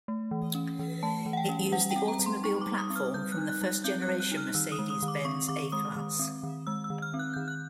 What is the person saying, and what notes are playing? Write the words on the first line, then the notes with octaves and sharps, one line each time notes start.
It used the automobile platform from the first generation Mercedes-Benz A-Class.
A3
E3
C#4
E3
A3 A5
E3
F#5
G5
C#4
G3 F#5
G5
C4
A#5
G3
C6
D#4 C#6
D6
G3
D#6
C4
F6
G3 G6
F#6
D#4
F#6
G3
F#6
C4 G6
F#6
G3
F#6
D#4
F6
D#3 E6
D#6
G#3
D#6
D#3
D6
C4 C#6
D#3 D6
G#3 D#6
D#3
C4
D#3
G#3 E6
E6
D#3
F6
C4
F#6
D#3 G6
F#6